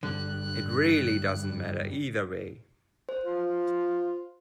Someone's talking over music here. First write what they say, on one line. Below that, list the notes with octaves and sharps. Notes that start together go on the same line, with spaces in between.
It really doesn't matter either way.
G2 D3 F#6
C5
F4